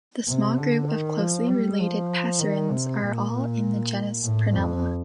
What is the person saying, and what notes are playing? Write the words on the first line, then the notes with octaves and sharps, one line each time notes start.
This small group of closely related passerines are all in the genus "Prunella".
C3
D3
D#3
F3
G3
F3
D#3
C3
A#2
A2
F2